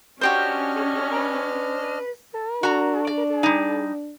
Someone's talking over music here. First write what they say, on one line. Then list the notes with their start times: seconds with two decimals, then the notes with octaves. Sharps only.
He plays the guitar.
0.21 C#4 D4 F#4 G4 C5 D#5 F6
2.63 D4 F#4 A#5
3.07 D5
3.43 G3 D#4